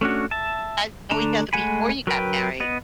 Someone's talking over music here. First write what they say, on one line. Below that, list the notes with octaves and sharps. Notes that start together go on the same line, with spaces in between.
guys know each other before you got married?
A3 C#4 D4 F#4
E5 A5
D3 A3 D4 A5 A#5
G#3 A3 F#5 G#5 B5
F#3 A#4 B4 G5
B3 D#5